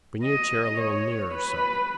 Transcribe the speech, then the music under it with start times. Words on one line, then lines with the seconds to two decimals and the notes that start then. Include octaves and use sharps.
Bring your chair a little nearer--so.
0.24 D#5
0.79 C#5
1.34 B4